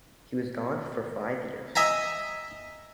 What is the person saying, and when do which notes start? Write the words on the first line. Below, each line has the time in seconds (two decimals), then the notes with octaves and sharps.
He was gone for five years.
1.76 D#5 E5 G#5 A#5